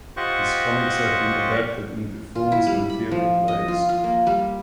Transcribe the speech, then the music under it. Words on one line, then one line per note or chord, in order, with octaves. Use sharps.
His comics have been adapted into films and theatre plays.
F4 G4 C5 D#5 F#5 C#6
F4
E4
G3
B5
F3
D#5
F4
F4
A#3
G3